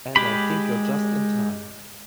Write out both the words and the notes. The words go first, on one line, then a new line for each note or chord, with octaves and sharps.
And I think you're just in time.
G#3 G4 B5